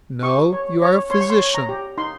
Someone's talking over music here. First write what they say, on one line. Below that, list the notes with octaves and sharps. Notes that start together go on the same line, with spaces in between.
No, you are a physician!
G4 C#6
C#5
C#5
C#5 C6
C#6
C6
C#5
A#5
G4
D#4 C6